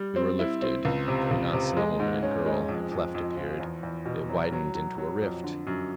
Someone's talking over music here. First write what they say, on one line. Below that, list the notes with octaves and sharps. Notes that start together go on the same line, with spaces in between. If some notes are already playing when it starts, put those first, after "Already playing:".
We were lifted; between us and the woman and girl a cleft appeared; it widened into a rift.
Already playing: G3
C4
E4
C4
C#2
C3
C#2
C3
G#3
G#2
C#4
G#3
F2
F2
F2
F3
E2
E2
B2
F#3
F#3
F#3
F#3
F2
D3
F#2